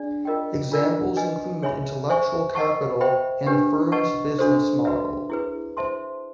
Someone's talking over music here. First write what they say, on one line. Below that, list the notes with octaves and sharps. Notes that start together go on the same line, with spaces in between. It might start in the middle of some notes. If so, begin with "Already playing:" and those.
Examples include intellectual capital and a firm's business model.
Already playing: D4 G#4 D5
F4 A#4 D#5 G5
D4 F4 A#4 D5
B4 D#5 G#5
G#4 C#5 E5 G#5 B5
C5 E5 G#5 C#6
A#4 D#5 F#5 A5 C#6
C5 E5 G5 B5
D4 G4 B4
B4 D#5 F#5 A5 C#6
D4 F#4 A4 C5
F#4 B4 E5
E4 G#4 B4
C5 E5 A5 C6